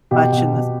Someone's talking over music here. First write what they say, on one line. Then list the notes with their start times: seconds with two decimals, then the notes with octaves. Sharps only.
much in this
0.11 B2 G4
0.32 B2
0.53 B2